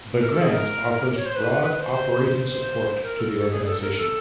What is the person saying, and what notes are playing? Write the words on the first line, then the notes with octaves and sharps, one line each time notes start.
The grant offers broad operating support to the organization.
A#4
A4
G#4
A#4
C#5
C5
B4
C5
C5
A#4
A4
A4
G#4
A4
A#4
A4